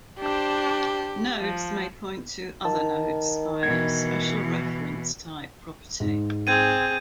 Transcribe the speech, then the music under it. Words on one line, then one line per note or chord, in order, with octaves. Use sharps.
Nodes may point to other nodes via a special reference type property.
D4 G4 C5
F3
D#3 A5
B2 E3 G#6
G#2
C4 G#4 G6 G#6 D#7